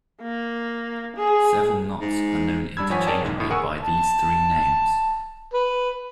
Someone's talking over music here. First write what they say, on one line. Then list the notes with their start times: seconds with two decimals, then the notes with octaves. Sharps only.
Several knots are known interchangeably by these three names.
0.22 A#3
1.16 G#4
2.00 G#2
2.77 G3 D4 B5 E6 G#6
2.90 G#1 F3 C#5 F#5 G#5 B6
3.07 G#4 A#4 C#5 D5 G5 A5
3.21 B1 E2 G#2
3.36 A1 A2
3.50 G#4 A#4 F#5 G#5 C#6 E6
3.82 A5
5.54 B4